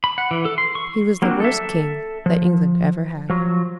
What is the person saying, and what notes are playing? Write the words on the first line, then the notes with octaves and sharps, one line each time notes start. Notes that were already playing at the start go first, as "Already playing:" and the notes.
He was the worst king that England ever had.
B5
F#5
E3
A4
C6
C#6
F#3 A#3 C4 D4 F#4
A4 E5
F3
F3 F#3